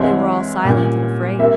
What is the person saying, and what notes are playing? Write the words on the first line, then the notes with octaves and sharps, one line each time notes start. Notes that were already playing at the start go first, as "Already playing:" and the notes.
They were all silent and afraid.
Already playing: C2 C3 E3 G#3 C4 C#5
A#2 G3 C#4
C3 G3 A#3 E5